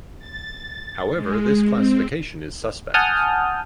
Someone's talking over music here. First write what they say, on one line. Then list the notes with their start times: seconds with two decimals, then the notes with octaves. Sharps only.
However, this classification is suspect.
0.18 A6
1.15 G#3
1.68 C4
2.94 F#5 G#5 A5 D#6 F6 G6